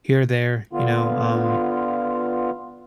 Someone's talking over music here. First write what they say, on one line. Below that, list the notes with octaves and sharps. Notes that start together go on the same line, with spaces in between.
here or there, you know, um,
D3 B3 F4